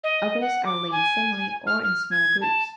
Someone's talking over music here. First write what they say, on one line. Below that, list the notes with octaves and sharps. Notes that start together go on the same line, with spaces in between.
Others are laid singly or in small groups.
D#5
F#5
D6
G#5
F6
F6
G#6
A5